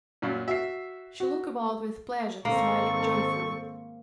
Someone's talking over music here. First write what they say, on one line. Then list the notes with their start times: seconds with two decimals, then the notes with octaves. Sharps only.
She looked about with pleasure, smiling joyfully.
0.22 F#2 A#2
0.48 F#4 E5 C7
1.20 F#4
2.45 G#2 D#3 A#3 C4 A4 C#6